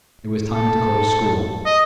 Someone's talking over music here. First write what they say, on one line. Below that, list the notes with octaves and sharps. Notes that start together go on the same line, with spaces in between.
It was time to close school.
A4
D#5